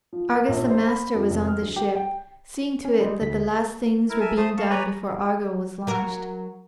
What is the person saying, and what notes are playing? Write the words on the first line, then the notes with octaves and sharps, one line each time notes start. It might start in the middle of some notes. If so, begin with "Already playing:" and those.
Argus the master was on the ship, seeing to it that the last things were being done before Argo was launched.
F3
A#4
A#1
C5
B5
F2
F1
F6
D2
G4
G5
C#4
G3 G#3
D2 B6
E4 A#4
A#4 E5 G#5 A5
A3 C5 A5 D#6
F5 A5 C#6
B4 C#5 D5 G#5 A#5 B5
F#3 A#4